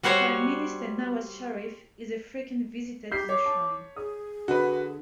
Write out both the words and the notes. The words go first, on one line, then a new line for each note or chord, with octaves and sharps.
Prime Minister Nawaz Sharif is a frequent visitor to the shrine.
G3 F#4 C5 C#5 F#5
G4 G6 B6 C7
C#5 D6
A5
G#4 D#6
D3 F#4 B4